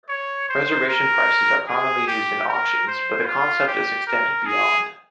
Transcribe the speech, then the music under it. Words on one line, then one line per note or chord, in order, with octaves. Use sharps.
Reservation prices are commonly used in auctions, but the concept is extended beyond.
C#5
C5
A#4
G#4
G4
A#4
C5
F4
G4
A#4
G#4